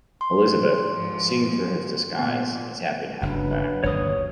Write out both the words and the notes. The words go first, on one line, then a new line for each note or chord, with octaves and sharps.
Elizabeth, seeing through his disguise, is happy to have him back.
C6
G#2 F3
A#2 B3
F#1 G2 F#3 D4 B4
G1 D#2 C3 C#5 D#6